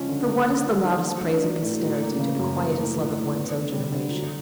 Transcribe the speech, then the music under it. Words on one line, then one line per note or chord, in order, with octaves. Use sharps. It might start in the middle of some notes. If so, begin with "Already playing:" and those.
For what is the loudest praise of posterity to the quietest love of one's own generation?
Already playing: C#3 F3 G#3 C#4
D3
A#3
D4
F#3
D#3
A3
D4
F#3
A2
F#3
A#3
C#3
F#2
A#3
A2
F3
A2
B3
D3
G3
D3
F#3